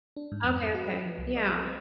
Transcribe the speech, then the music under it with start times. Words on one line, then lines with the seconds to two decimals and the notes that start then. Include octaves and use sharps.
Okay, okay, yeah.
0.16 D4
0.32 G#2
0.44 F2
0.59 F2
0.74 F#4
0.86 B4
1.06 F3
1.18 C2
1.36 D#5
1.51 F#6
1.65 C4